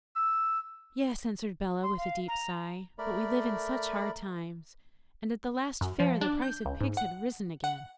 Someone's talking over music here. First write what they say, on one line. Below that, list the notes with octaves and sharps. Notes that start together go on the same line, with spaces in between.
'Yes,' answered Bellah, with a deep sigh; 'but we live in such hard times, and at the last fair the price of pigs had risen again.'
E6
C6
F5
A#5
A3 A#4 D5 B5
F#2
F3
D4
G6
C#2
G#2
F#5
F#5